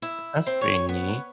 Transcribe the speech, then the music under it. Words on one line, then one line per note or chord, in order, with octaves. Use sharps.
That's pretty neat
E4
C4
C#5
B3